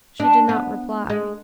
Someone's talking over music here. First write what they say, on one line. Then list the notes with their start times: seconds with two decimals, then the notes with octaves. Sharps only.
She did not reply.
0.20 D4
0.49 B3
1.10 G#3